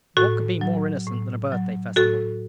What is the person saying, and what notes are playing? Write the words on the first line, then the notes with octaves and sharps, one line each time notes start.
What could be more innocent than a birthday festival?
A2 F#4 A4
F#3
A2
F#3
A2 F#4 A4